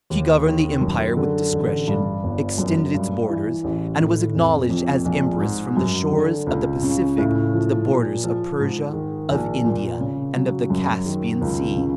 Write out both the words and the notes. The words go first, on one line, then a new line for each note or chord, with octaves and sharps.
She "governed the empire with discretion," extended its borders, and was acknowledged as empress from the shores of the Pacific to the borders of Persia, of India, and of the Caspian Sea.
D#2
D#3
F#2
D3
A1
G2
G1
F#2
G2
E3
A1
A2
F1
F2
A#1
G#2
F#2
D3
C#2
C#3
A2
F3
A#2
F3
G#2
D#3
A#1
A#2
C#3
F#3
F#2
D#3
C#2
C#3